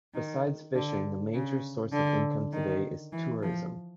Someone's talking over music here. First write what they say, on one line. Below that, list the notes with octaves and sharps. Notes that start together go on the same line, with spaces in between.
Besides fishing, the major source of income today is tourism.
D#3
D3
C#3
D3
D#3
E3
F3